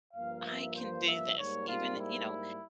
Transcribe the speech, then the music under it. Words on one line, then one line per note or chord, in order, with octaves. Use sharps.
I can do this, even" you know,
G2 F3 A#3 F5
E5
C5
E5
G#2 G3 A#3 C#5
F4
E4